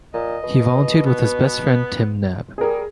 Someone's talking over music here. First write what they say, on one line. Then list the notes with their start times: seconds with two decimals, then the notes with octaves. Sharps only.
He volunteered with his best friend Tim Knab.
0.14 A#2 D#5
0.44 B2
1.05 B3
2.58 G3 G#4 A#4